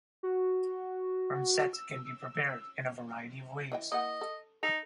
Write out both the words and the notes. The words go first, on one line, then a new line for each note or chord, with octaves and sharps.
Ensete can be prepared in a variety of ways.
F#4
E6
E3 D#5 G5
A#3 E4 D#5 F#5
A4
D#4 A4